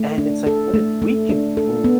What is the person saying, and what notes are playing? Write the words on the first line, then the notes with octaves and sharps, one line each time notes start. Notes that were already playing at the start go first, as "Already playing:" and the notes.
and it's like, "What if we can move"
Already playing: A3
D4
A4
A3
A3
D4
A4
B3